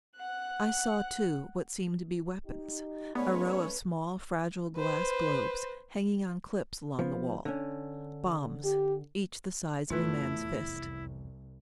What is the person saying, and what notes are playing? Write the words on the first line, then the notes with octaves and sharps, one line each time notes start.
I saw too, what seemed to be weapons: a row of small fragile glass globes, hanging on clips along the wall--bombs, each the size of a man's fist.
F#5 F#6
D#4 G4
G#2 A3 B3 C#4 B4 C#5 D5
B4 C5
F3 B3
D3 C#4
G4
F1 E2 A2 A3 E4 F4 B4
C2